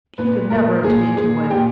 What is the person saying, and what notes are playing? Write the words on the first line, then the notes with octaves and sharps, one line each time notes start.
He could never attain to it.
A#2 B4
A#2 A#4
A#2 G#4
A#2 G#4
A#2 G4